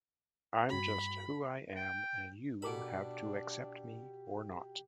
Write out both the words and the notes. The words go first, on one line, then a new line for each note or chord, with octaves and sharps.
I'm just who I am and you have to accept me or not.
G2 F#4 B5
G5
B2 D4 G4 A4 A#4 B5 D6